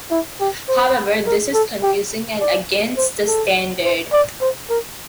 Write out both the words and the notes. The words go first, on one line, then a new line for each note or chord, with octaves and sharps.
However, this is confusing and against the standard.
E4
G4
C5
A#4
A4
G4
D5
C5
A4
C5
D5
C5
A#4